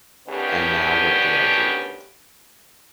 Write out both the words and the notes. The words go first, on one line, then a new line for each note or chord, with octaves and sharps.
And now, what do I do?
D2 D#3 B3 C#4 D4 G4